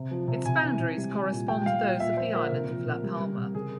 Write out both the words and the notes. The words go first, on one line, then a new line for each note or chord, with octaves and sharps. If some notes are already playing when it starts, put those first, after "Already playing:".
Its boundaries correspond to those of the island of La Palma.
Already playing: C3
F3
C3
C3 G#5
E3
C3
G3
G3
A#2
G3 G5
G3 F5
A#2
A#2 E5
F3 C5
A#2 A#4
C3
F3
C3
G3
G3
C3
C#3 G#4